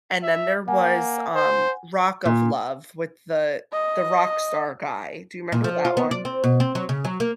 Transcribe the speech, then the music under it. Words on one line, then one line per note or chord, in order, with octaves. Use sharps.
and then there was, um, Rock of Love with the the rockstar guy. Do you remember that one?
E5
A#3 F#5 G#5
C5
A#2
D#5
A#2
F3
F4
B3
D5
C4
B2
C4
F#3
C#3
F#3
A#3